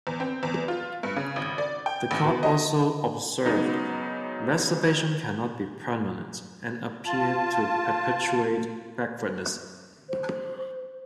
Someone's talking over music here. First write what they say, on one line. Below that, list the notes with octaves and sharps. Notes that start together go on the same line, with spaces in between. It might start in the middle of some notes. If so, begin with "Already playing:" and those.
The court also observed, "Reservation cannot be permanent and appear to perpetuate backwardness".
E2
C4
E2
F4
G2
C#3
G#1
D5
G5
A1
B2
D#5
G#2 C#3 F#3 B3 D#4
F4 A5
C5